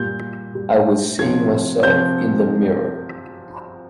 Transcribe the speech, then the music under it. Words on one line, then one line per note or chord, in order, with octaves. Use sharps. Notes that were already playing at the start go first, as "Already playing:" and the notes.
I was seeing myself in the mirror.
Already playing: A#2 G3 G6
A#2 G3
C3 F3 G#6
C3 F3 G6